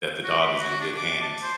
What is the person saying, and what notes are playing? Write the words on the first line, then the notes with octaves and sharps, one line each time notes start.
that the dog is in good hands.
F#4
B5
F#4
D4
D6
A5
C5